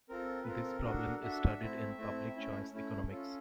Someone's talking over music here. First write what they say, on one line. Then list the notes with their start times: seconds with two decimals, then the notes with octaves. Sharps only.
This problem is studied in public choice economics.
0.09 C4 F4 A4 A#4
0.43 B4
0.47 C4 F4 A4 A#4
0.84 D4 F#4 A4
1.22 D4 F#4 A4 E5
1.60 A3 C4 E4
1.98 A3 C4 E4
2.36 A3 C#4 E4
2.72 A3 C#4 E4
3.10 C#4 F4 A4